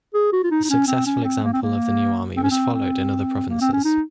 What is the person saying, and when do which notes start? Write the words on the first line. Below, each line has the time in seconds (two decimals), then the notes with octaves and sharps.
The successful example of the new army was followed in other provinces.
0.14 G#4
0.33 F#4
0.44 F4
0.51 D#4
0.64 D#4
0.70 C#4
0.88 C4
1.06 C#4
1.24 C4
1.44 A#3
1.53 C4
1.63 A#3
2.37 C4
2.43 C#4
2.51 C4
2.73 C4
3.49 A#3
3.61 C4
3.73 C#4
3.85 D#4